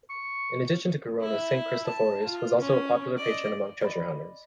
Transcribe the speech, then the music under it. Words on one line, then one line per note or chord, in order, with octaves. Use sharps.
In addition to Corona, Saint Christophorus was also a popular patron among treasure hunters.
C#6
E4 E5
A5
F4
C#4
D5 D#5
D5 D#5 B5